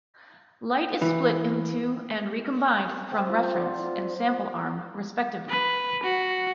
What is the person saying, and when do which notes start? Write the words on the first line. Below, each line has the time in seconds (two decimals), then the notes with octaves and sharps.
Light is split into and recombined from reference and sample arm, respectively.
1.02 E3
2.79 C#5
3.11 C4 A4 G5 E6
3.29 F4
3.55 C5 D5 F5 F#5
3.79 F4
5.49 B4
6.03 F#4